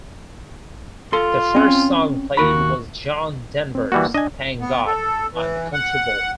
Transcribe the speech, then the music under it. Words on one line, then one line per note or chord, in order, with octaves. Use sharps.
The first song played was John Denver's "Thank God I'm a Country Boy".
F4 A4 C6
C4 C#4
D#2 F#4 A#4 B5
C4
E3 G3 A#3 F#4
D4 D#5 G#5
B3
A4
E3
F#5